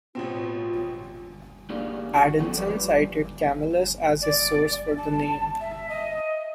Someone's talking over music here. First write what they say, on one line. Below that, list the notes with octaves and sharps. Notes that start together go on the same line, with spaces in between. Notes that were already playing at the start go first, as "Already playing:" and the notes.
Adanson cited Camellus as his source for the name.
A1 B2 C4 F4
A#3 D4 G4 G#4 D5 F5
F#4
F#2 F3 B3 F#4 A4 G5
G2 F3 G3 G4 B4 D5
D5
A5
E5
D#5